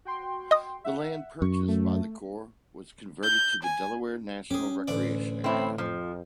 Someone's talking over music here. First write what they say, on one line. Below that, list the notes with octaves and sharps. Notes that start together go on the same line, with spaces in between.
The land purchased by the Corps was converted to the Delaware National Recreation Area.
F#4 G5 C6
D#5 D#6
E5 F#5
F#2 C#6
A3
G6
G#5
C#4 G4 G#4
A1 D2 D5
A2 C4 E4
F2 F3